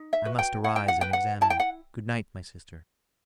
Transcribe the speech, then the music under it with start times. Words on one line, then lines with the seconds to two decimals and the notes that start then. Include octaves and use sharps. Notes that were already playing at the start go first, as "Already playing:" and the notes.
I must arise and examine. Good night, my sister.
Already playing: D#4
0.13 E5
0.25 F#4 B4
0.39 G5
0.64 E4 F#5
0.76 G5
0.88 F#5
1.01 B4 G5
1.13 F#5
1.41 E4 A5
1.50 G5
1.60 F#5